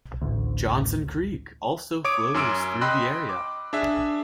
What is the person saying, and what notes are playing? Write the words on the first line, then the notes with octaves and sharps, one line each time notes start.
Johnson Creek also flows through the area.
A1 D2
C#5 D6 D#6 D7
F#2 C#4 C6 E6 F6 D7
D#5 G5 B5 C6 E6 F#6
D6
D4 G#4 E5